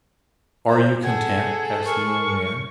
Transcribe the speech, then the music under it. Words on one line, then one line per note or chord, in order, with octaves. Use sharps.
"Are you content?" asked the young man.
C5
G#4 A4 F#5 G#6
A#4 C#6